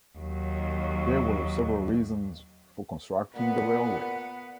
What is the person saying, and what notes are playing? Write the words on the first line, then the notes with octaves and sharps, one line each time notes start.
There were several reasons for constructing the railway.
D#2 F#3
A#2 B3 B4 F#5